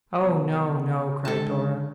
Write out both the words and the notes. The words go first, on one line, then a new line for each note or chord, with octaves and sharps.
'Oh, no, no!' cried Dora.
C3 B3
D3 G#3 A4 A5